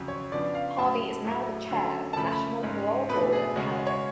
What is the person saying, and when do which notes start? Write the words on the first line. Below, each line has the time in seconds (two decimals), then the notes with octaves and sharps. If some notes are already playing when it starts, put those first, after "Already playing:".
Harvey is now the Chair of the National Parole Board of Canada.
Already playing: F2 C#3 F#3
0.08 C#5
0.32 C#3 F3 B3 D4 D5
0.55 F5
0.78 A2 F#3 C#4 A5
1.25 A2 F#3 A3
1.71 D3 F#3 C#4
2.13 A5
2.17 C#3 F3 A3 C#4 B5
2.32 B5
2.63 G#2 G#3 C#4
3.09 B2 A3 D4 B4
3.33 G#4
3.56 C#3 G#3 C#4 F#4
3.71 F#4
3.87 C#5